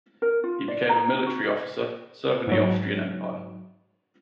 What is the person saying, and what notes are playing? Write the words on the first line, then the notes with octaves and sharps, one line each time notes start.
He became a military officer, serving the Austrian Empire.
A#4
F4
D5
A#5
F#4
G#2 F#3